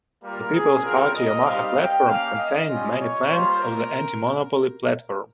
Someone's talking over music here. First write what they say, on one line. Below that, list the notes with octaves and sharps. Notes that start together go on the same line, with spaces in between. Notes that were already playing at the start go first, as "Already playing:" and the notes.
The People's Party's Omaha Platform contained many planks of the Anti-Monopoly platform.
G3 A#3 F4 A#4
G#4
G3 C4 F4 A#4
D#5
G3 C4 D#4 G4 F5
G5
A#3 C#4 G4 F5
D#5
G3 C#4 F4
C#5
G3 A#3 F4 C5
A#4